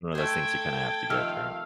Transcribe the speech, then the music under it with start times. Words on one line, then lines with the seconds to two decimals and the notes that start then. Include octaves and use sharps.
One of those things you kinda have to go through.
0.15 A3 A4 C5 G5 G#6
1.10 C3 D#3 F3 F5 E6 F6